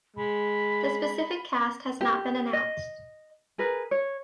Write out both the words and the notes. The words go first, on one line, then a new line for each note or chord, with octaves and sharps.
The specific cast has not been announced.
G#3 B5
G4
D#5
G#4 A#4 B4
C#5